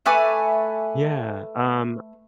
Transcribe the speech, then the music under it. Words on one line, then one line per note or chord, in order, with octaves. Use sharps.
Yeah, um
A3 B4 G#5 D6